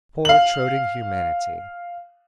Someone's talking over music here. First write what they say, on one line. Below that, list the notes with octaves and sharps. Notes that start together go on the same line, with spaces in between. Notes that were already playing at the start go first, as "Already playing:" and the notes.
Poor, toadying humanity!
F5 F#7